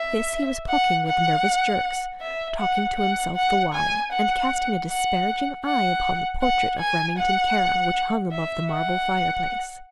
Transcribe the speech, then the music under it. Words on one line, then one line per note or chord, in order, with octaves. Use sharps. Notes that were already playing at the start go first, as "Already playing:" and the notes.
This he was plucking with nervous jerks, talking to himself the while, and casting a disparaging eye upon the portrait of Remington Kara which hung above the marble fireplace.
Already playing: E5
F#5
F#5
E5
F#5
F#5
F#5
G#5
F#5
F#5
F#5
F#5
G#5
F#5
E5
F#5